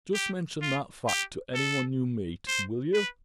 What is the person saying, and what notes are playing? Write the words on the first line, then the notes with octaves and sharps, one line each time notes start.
Just mention that fact to any one you meet, will you?
G4
F4
G4
A4
C5
B4